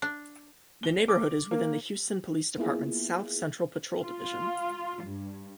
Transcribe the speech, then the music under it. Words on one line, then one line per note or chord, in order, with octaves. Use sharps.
The neighborhood is within the Houston Police Department's South Central Patrol Division.
D4
G7
D6
A#3
A#3 B3 E4 F4 G#4
F4
G2